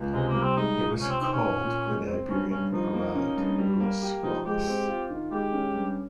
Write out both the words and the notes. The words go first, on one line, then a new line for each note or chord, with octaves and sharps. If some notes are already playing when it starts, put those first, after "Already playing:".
It was called when the Iberian arrived, Los Guamas.
Already playing: C#2
C3 G#3
A#3
G3
C4
G#3 D#4
C#2
C3 C#4
C4
D#3 C4
C#4
A#2
A#2
G#3
C4
G2 C#4
G2 C#4
F3 D#4
A#3
C#4
G2
G3
A#3
G4
F3 D#4
G#3 G4
C4
F4
D#3
G#3 G4
C#4
G2